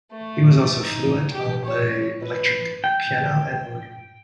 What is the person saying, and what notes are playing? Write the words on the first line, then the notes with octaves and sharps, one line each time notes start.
He was also fluent on the electric piano and organ.
A3
D#4
G4
C#5
B4
G5